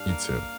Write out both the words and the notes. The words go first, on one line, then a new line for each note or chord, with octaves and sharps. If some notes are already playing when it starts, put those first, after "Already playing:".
You too.
Already playing: G2 D4 F5
A#3
A#3